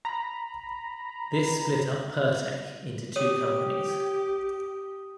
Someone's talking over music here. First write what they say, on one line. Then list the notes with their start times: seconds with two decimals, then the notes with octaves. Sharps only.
This split up Pertec into two companies.
0.05 A#5 B5
3.16 G4 C#5 D#6 D#7